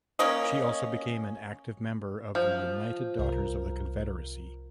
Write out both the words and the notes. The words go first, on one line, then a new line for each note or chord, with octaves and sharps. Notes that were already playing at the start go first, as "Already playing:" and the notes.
She also became an active member of the United Daughters of the Confederacy.
A#3 C#4 D#5
F3
C2 A#4